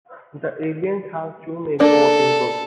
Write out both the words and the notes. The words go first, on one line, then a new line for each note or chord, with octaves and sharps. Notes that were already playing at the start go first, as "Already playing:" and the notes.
The Alliance has two major working groups.
A#3 D4 A4